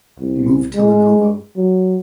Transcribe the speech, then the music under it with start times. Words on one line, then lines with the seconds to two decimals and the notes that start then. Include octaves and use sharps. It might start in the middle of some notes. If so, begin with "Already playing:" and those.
Moved to Lenovo.
0.19 C2
0.75 G#3
1.57 F#3